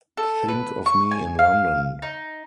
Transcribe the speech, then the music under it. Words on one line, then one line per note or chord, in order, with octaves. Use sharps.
Think of me in London!
A4
B4
C#6
G#5
F5
D#4